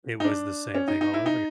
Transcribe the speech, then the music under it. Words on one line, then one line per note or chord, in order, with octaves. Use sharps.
it was the same thing all over again.
D#4
D4
C#4
D#4
D#4
E4
D#4